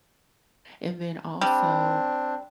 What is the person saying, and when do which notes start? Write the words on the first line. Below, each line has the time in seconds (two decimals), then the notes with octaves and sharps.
and then, also
1.41 G3 C4 D4